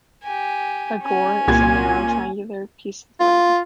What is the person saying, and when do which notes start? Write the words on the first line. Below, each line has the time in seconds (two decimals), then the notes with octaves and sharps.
A "gore" is a narrow, triangular piece of land.
0.23 G4 G#5
1.03 C#4 G#5
1.48 C2 A#2 G#6
3.20 F4